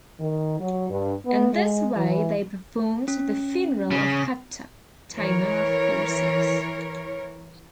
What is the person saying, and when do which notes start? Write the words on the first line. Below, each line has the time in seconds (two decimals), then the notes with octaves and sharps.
In this way they performed the funeral of Hector, tamer of horses.
0.20 D#3
0.60 F#3
0.90 G2
1.25 B3
1.54 G#3
1.97 E3
3.08 C#4
3.91 C#3
5.15 E3 A#4 C#5